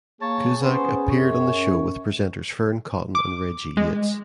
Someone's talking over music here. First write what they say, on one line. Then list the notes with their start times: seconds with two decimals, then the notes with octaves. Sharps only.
Cusack appeared on the show with presenters Fearne Cotton and Reggie Yates.
0.21 A#3 G#4 C#5 A5
0.61 B3 C#4 C5
1.10 F#2 C#5
3.15 D6
3.77 G#3